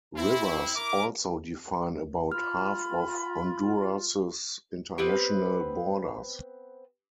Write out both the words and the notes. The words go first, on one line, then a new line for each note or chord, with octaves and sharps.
Rivers also define about half of Honduras's international borders.
C4 E4
E4 A#4 D6
F4 B5 F6
B3 C4 G4 B4